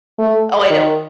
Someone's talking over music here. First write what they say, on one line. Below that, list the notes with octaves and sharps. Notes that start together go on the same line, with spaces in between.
Oh, I know.
A3
D#3